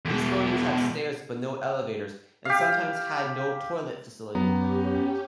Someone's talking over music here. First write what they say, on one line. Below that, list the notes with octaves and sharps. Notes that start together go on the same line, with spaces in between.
These buildings had stairs but no elevators, and sometimes had no toilet facility.
E2 B2
G4 F5
F#2 B3 C#4 G4 A#5